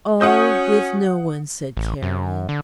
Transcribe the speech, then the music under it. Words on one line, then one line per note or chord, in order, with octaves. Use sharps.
"Oh, with no one," said Carrie.
C#4 F#4 F#5 D#6 G6
A1
F#2
D3